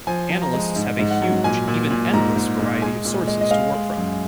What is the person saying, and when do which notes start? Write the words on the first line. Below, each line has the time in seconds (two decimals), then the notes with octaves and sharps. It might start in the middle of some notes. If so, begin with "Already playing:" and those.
Analysts have a huge, even endless, variety of sources to work from.
0.07 F3 G#5
0.30 F3
0.42 A#5
0.53 G#3
0.76 G#2
0.99 G#2
1.11 F#5
1.22 F#3
1.44 A#2 G#5
1.68 A#2
1.90 A#2
2.13 G#2 A#5
2.36 G#2
2.59 G#2
2.82 G#3 G#5
3.05 A#2
3.27 G#3
3.41 D#5
3.51 G#3 F5
3.74 G#3
3.97 F#2